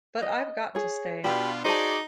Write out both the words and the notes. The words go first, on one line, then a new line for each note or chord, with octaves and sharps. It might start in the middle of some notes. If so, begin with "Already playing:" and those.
But I've got to stay.
D#5
G#4 C#5
B2 D4 F4 G4 B5
D#4 F#4 G#4 C5 D5 A5